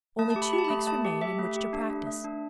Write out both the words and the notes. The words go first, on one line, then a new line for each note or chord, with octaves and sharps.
Only two weeks remained in which to practise.
A3 A5
A5
G4
B5
G4
A5
B5
A3
A3 A5
G4
G4 E5
A3
G4
D4
A3
A3
D4